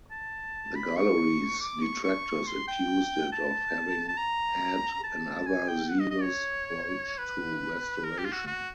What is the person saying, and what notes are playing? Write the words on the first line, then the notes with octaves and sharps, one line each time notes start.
The Gallery's detractors accused it of having had an over-zealous approach to restoration.
A5
B5
C#6
D6
C#6
C#6
C6
G5
A5
A5
A#5
A5
G#5
G5
F#5
D#5
D#5
C#5
B4
A#4
G4
F4
F#4
F#4